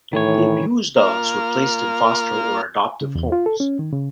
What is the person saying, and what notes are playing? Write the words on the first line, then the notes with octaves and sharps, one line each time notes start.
The abused dogs were placed in foster or adoptive homes.
A2 D#3 E3 C#5
A#3 F4 A#4 F6
C#3
E2
F4
A4
C#4
D#3
C#3